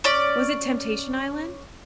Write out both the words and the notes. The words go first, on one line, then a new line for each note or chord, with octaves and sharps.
Was it Temptation Island?
C#4 D5